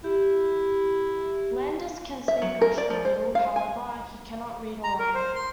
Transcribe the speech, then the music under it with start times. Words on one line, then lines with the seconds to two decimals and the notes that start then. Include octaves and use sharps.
Landers can speak Russian a little; however, he can not read or write it.
0.04 E4 G4
2.28 E5
2.42 F#3
2.61 A#4
2.78 D5
2.90 F3
3.05 C5
3.35 F5
3.56 G#5
4.84 A#5
4.99 A#4
5.14 C5
5.36 C6